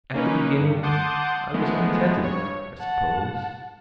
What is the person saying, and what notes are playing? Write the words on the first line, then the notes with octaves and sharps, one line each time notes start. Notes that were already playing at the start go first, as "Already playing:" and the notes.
At the beginning I was contented, I suppose.
A#3 C#4 D#4 B4
G2
F#5 A5 C6 D6 D#6 G6
F3 G#3 A3 B3
G2 C#5
F#5 A5